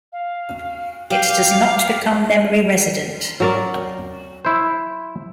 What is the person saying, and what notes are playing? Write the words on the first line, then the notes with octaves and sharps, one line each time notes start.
It does not become memory resident.
F5
G4 F5
F#3 A#4 D5
E4 C5